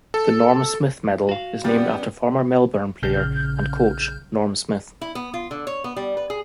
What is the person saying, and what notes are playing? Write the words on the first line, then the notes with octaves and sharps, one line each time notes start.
The Norm Smith Medal is named after former Melbourne player and coach, Norm Smith.
A4
F#4 F5
G3 B3 C#4 D5
A#1 C#3 F6 G6
E4
B3
F4
D3
C#5
B3
G3
B4
G#4